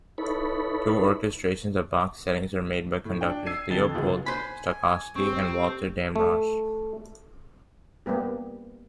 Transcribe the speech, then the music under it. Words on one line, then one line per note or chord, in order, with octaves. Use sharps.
Two orchestrations of Bach's settings were made by conductors Leopold Stokowski and Walter Damrosch.
D#4 E4 A4 B4 C#5 B5
A2
D4 G5
E6 G#6 C7 D#7
F2 D3 A6 G7
C#2 G#2 E3 F#4 G#4
C5 G#5 B5
C4 G4 C#6
A3
G3 A#3 B3 G4